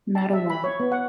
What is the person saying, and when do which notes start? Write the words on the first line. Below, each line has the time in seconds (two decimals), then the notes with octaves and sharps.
Not a lot.
0.15 A5
0.33 E5
0.50 B5
0.64 C#5
0.80 B3
0.92 F#5